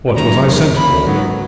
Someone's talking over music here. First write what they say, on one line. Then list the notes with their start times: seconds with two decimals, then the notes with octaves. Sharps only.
"What was I sent for?"
0.16 D#3 F#3 A#3 C#4 E4 A#5
0.45 E2 D#3 F#3
0.75 C#3 E3 A#3 C#4 B5
1.05 G#2 D#3 F#3 B3 D#4